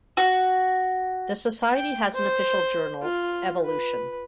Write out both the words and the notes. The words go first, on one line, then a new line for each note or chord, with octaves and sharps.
The society has an official journal "Evolution".
F#4
G5
C5
F4
B4